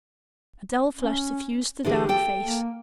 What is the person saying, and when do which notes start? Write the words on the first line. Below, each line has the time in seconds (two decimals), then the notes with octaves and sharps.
A dull flush suffused the dark face.
0.95 C#4
1.85 D3 E3 G4 G#4
2.09 A4 G5
2.41 A#3